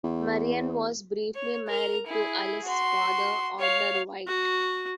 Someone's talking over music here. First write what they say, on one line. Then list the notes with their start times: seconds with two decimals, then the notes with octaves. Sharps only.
Marian was briefly married to Alice's father, Audler White.
0.03 E2
1.35 C#5
1.68 A#4 A#5
2.06 E4 G#4
2.64 F#4 C6
3.59 C#5 F5
4.27 F#4